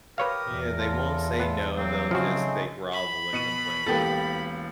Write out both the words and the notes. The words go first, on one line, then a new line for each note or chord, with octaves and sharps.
Yeah, they won't say no, they'll just they grovel and complain.
G4 A#4 B4 C#5 F5 D#6
E2
F4 A4
B3
F#3 A#3 C4 G5
C#3 F3 G#3 A3 D#4 F#4
B5
B2 C#7 D#7
E1 A#3 B3 G4 A4 A6